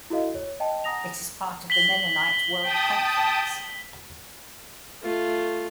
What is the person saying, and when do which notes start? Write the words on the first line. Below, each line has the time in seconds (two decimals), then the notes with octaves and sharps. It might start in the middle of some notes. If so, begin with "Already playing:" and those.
It is part of the Mennonite World Conference.
0.10 E4 F#4 A4 D#5 F5
0.35 C#5
0.60 D#5 G5 A5
0.84 F#5 G#5 A#5 D#6 A#6 F7
1.70 B6 F#7 G7
2.61 G5 A5 D#6
5.02 A3 F4